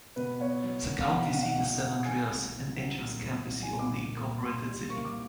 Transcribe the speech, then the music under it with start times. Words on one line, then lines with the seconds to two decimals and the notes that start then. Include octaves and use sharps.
The county seat is San Andreas, and Angels Camp is the only incorporated city.
0.16 B2 B4
0.40 B3 C#5
0.64 F#3
0.87 B2
0.99 F5
1.11 B2 F#5
1.27 F#5
1.35 B2
1.43 F#5
1.59 B2 F#5
1.82 B2
2.05 A3 G#5
2.29 C2
2.53 C2
2.77 F#3
3.01 A#2
3.24 F#3
3.47 C2
3.63 G#5
3.72 A#2
3.79 D6
3.95 A#2
4.18 A#2
4.43 A#2 C6
4.67 G3
4.89 A#3 C#6
5.05 D6